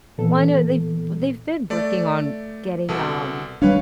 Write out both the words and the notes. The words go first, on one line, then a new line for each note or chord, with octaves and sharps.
Well, I know, they've they've been working on getting, um
A#2 E3 B3 A4
A3 D5
C2 B2 A4
G3 D4 B4 C#5 F5